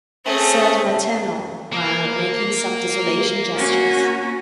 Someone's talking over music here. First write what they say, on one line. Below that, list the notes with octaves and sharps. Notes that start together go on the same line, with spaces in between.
Said Maltenu while making some desolation gestures.
A3 C4 C#4 G#4
A#3 F5
C#4 F#4